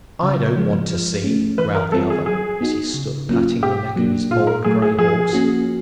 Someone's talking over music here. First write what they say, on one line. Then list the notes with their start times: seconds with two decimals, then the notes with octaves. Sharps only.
"I don't want to see," growled the other, as he stood patting the neck of his old grey horse.
0.23 C#3
0.56 F3 G#3
0.90 F3
1.24 A3 C#4
1.58 E3 B4
1.75 A#4
1.92 G3 C4 F4 A4
2.10 G#4
2.26 F#3 G#4
2.61 B3 D#4 F#4
2.94 C#3
3.29 F#3 A#3 C#4 F4
3.63 B2 G4
3.96 F#3 A#3 D4
4.30 A#2 F4
4.47 A#4
4.64 F#3 A3 G#4
4.82 G#4
4.98 F3 G#4
5.33 A#3 C#4 F#4